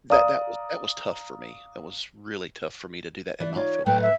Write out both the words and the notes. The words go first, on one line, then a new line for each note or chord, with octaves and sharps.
that that was that was tough for me. That was really tough for me to do that and not feel bad.
D5 F5 A#5 D#6
E3 D5
D#4 F4 C#5 D5
A2 F#3 A3 B4 G5
E5